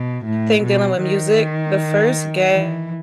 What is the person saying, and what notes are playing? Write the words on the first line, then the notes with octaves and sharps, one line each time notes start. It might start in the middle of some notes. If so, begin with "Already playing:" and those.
Think dealing with music. The first gadget
Already playing: B2
A2
B2
D#3
E3